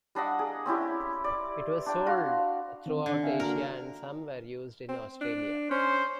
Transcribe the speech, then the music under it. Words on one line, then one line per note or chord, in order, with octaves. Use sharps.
It was sold throughout Asia, and some were used in Australia.
G3 D4 D#5 F#5
G#4 A#4
C4 C#4 E4 G4
D5
D4 G5
F#4 F5 C6
D#3 C4
D3
E5 F5 G#5
A#3 D4 F#4 A#4
C4
D4
C#4 C5